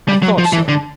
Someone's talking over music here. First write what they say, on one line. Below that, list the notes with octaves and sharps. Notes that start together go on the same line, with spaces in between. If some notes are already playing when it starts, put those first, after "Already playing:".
I thought so.
G3
F#3
F3
E3
D3